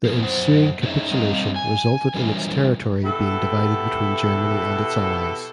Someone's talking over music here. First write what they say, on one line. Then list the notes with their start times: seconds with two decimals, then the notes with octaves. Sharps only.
The ensuing capitulation resulted in its territory being divided between Germany and its allies.
0.05 F3 B3
0.23 F#2 C5 F#5
0.82 A3 C#4 D#4 E4 G#4 E5
1.11 G3 C4 D#5 F5 A#5
1.56 G#5
2.14 E3 F#3 G3 D4 F4
3.04 B2 E4 G4 A4